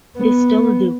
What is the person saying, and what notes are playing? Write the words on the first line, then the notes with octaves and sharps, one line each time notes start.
They still do.
B3